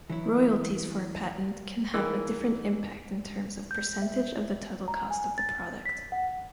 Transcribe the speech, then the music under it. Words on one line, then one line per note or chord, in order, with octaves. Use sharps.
Royalties for a patent can have a different impact in terms of percentage of the total cost of the product.
E3 F#3 E4
E3 D#4 G#4 A#4 F5
G6
E5
A#5
G#5
A6
B6
F#5